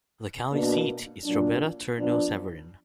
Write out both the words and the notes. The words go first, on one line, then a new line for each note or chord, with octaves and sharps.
The county seat is Drobeta-Turnu Severin.
B2 A#3 D4
A#2 F#3 D4
F3 B3 D4